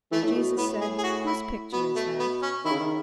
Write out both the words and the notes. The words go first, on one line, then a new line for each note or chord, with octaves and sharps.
Jesus said, "Whose picture is that?"
E3 A3
A2
B2
A2 B3
G#4
G#4
F#4
E4
B2 B3
A3
B3
C#4
D#3 E4
C#3
D#3